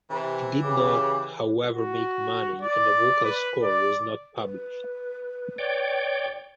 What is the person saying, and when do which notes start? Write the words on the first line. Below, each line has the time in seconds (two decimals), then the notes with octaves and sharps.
It did not however make money and the vocal score was not published.
0.10 C3 E3
0.63 C#3 G4
1.72 F#4
2.61 D5
3.24 B4
3.62 D5
4.38 B4
5.58 C#5 D5 G5